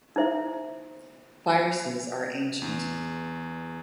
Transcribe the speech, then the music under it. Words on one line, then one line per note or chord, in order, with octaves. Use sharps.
Viruses are ancient.
D#4 E4 C5 E5
E2